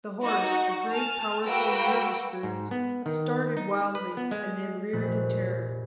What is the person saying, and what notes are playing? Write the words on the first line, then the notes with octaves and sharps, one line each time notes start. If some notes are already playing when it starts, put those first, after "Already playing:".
The horse, a great, powerful, nervous brute, started wildly and then reared in terror.
D#4 F#4
G#5 A5 F6
A#3 F#4 B4 G5 E6 D7
G#2
B3
D#3
D#4
B4
B3
G#3
F1 A#1 A#2 F#6